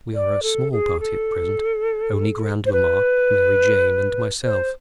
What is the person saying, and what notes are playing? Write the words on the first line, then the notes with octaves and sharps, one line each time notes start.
We are a small party at present, only grandmamma, Mary Jane, and myself.
D5
A4
G#4
A4
C5
B4
C5